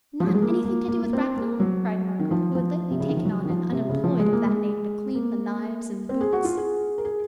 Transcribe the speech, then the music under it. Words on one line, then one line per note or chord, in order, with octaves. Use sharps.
"Not anything to do with Bracknell?" cried Margaret, who had lately taken on an unemployed of that name to clean the knives and boots.
F3
F#3
G#3
A#3
A#3
A#3
A#3
C4
A#3
F#3
D#3
F3
F3
C3
C#3
D#3
F3
F#3
D#3
F3
C3
C#3
F3
G#3
A#3
G#3
A#3
C4
G#4
F#4
F4
G#4
A#4
G#4